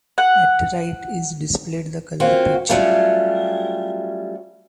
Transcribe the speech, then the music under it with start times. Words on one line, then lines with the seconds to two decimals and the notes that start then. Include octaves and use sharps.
At right is displayed the color peach.
0.18 F#5
2.20 A#3 C4 C#4 F4 F#4
2.69 F#3 G3 A3 C#4 F4 G4